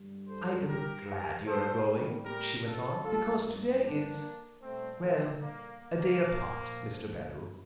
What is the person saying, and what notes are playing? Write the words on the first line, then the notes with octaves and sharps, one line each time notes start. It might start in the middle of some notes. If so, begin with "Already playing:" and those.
I am glad you are going," she went on, "because to-day is--well, a day apart, Mr. Bellew.
Already playing: G2 D3 G3
A4 C5
G4 A#4
G4 A#4
A2 G3 A4 C5
G4 A#4
F4 A4
G2 F3 F4 A4
A#3 D4
A#2 G3 A3 C4
A3 C4
A#3
A#3
A#2 F3